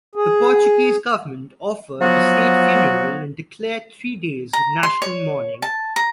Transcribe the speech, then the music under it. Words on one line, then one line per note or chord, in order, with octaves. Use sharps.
The Portuguese Government offered a state funeral and declared three days of national mourning.
G#4
F3 F#3 B3 F#4
A#5
C6
C#5
A5
A#5